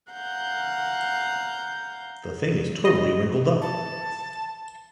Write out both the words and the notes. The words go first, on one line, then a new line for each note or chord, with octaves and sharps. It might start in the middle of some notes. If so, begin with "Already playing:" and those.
The thing is totally wrinkled-up.
F5 F#5 A#5 G6
D#5
A5